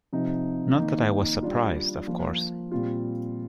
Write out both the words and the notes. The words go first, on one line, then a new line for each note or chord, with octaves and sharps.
Not that I was surprised, of course.
C3 F3 C4 D#4
D#3 A#3 D#4
G3 D4 F4
F3 A#3 F4
A#2 G3 C4 F4